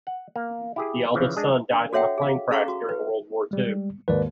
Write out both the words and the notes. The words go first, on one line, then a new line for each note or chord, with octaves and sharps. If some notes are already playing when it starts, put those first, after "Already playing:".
The eldest son died in a plane crash during World War Two.
F#5
A#3
E4 G4 G#4
C#3 E3 F3
G#3 D4 G#4
D4
F#4 A4 C#5 E5 F#5 G5
G#4 F5
C#4 G#4 A4 F5 A#5 C#6
F#4
B4
G3 G#3
G#1 D#2 B4 D5